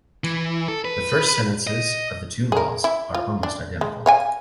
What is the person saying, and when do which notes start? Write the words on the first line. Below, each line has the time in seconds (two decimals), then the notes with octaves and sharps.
The first sentences of the two laws are almost identical.
0.24 E3
0.68 A4
0.85 B4
1.67 D#5
2.52 G#4 A#4
2.84 E4
3.14 F4
3.43 D4
3.81 G#3
4.06 C#5 F5 G#5